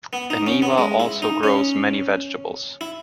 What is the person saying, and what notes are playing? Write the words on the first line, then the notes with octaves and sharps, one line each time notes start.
Eniwa also grows many vegetables.
B3
D#4
C#4
B3
G#3
E4
D#4
C#4
E4